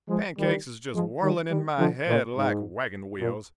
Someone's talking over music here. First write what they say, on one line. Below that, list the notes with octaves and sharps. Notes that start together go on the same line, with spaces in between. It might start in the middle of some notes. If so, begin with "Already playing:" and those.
Pancakes is just whirling in my head like wagon wheels.
F3 G#3
D#3 G3
F3 G#3
D#3 G3
D#3 G3
D3 F3
A#2
G#2
A#2